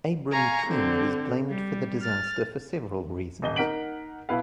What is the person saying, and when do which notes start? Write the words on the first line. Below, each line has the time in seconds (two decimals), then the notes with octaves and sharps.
Abram Kean was blamed for the disaster for several reasons.
0.32 F5 G#5 A#5 C#6
0.66 D3 C4
1.49 G3
2.03 F6 A6
3.42 D#1 D#5 G7
3.56 D#4 A#4 F#5 B6 D7 F#7
4.29 B1 B3 E4 B4 F5